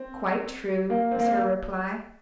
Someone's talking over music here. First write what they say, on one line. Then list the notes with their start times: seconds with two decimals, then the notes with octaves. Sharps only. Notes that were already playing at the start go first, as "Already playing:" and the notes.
"Quite true," was her reply.
Already playing: C4
0.90 A#3
1.11 C4
1.19 A#3